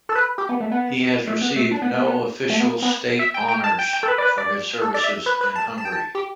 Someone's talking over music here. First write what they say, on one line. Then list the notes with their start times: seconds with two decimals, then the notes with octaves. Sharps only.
He has received no official state honours for his services in Hungary.
0.09 A4
0.15 B4
0.38 G4
0.49 B3
0.60 A3
0.71 B3
1.27 A3
1.41 B3
1.56 A3
1.71 D4
1.82 B3
1.94 B3
2.05 B3
2.49 A3
2.60 B3
2.82 B3
3.19 E5
3.34 G5
3.48 G5
3.64 A5
3.79 G5
3.93 G5
4.03 A4
4.08 B4
4.18 D5
4.23 B4
4.38 D5
4.82 A4
4.94 D5
5.04 E5
5.26 B4
5.41 B4
5.55 A5
5.78 A5
5.85 G5
5.92 A5
6.15 G4